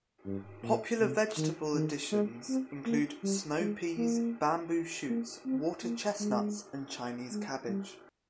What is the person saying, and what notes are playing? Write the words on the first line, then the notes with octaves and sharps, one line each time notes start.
Popular vegetable additions include snow peas, bamboo shoots, water chestnuts and Chinese cabbage.
G2
A#2
C3
D#3
D#3
G#3
C4
A#3
G3
G#3
A#3
A#3
C4
A#3
G#3
G#3
G3